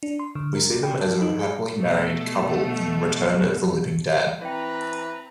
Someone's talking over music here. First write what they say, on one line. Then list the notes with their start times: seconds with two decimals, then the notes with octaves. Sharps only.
We see them as a happily married couple in "Return of the Living Dad".
0.03 D4
0.19 C6
0.35 D3
0.55 A#4
0.71 B2
0.83 G5
1.01 A5
1.22 D#4
1.39 G#4
1.78 B2 A3
4.41 E3 C4 B4 D5 G5 A#5